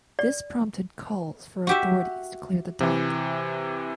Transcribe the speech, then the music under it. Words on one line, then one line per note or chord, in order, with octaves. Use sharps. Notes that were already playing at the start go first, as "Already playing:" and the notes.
This prompted calls for authorities to clear the Dyke.
D5
F#4 G4 E5
C3 E3